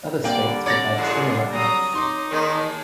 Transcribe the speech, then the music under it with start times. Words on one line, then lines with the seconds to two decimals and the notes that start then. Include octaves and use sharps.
Other states would have similar Acts.
0.24 D3 G3 A#3 D5 G5
0.66 C#5 D5 D6 A6 A#6
0.98 A2 C#3 G#3
1.53 F#3 A#5 D#6
1.95 D#4 C6 D6
2.31 D#2 D#3 G#3